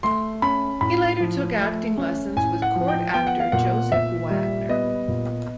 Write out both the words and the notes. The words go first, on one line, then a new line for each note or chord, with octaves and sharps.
He later took acting lessons with court actor Joseph Wagner.
A3 C6
C#4 B5
A2 B5
F3
A3
C#4
A2 G#5
F#5
F3
G5
B3 G5
F#5
F5
A#2 F#5
A#2 E5
G3
B3 D#5
A#2